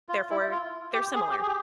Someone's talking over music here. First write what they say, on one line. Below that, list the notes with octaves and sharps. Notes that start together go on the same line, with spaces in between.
therefore, they're similar,
F4
E4
F4
G4
G#4
G4
G#4
G4